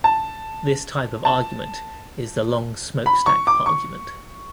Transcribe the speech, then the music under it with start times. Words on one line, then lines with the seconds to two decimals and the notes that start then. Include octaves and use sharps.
This type of argument is the long smokestack argument.
0.04 A5
1.25 A5
3.06 B5
3.26 C#6
3.47 D6
3.66 C#6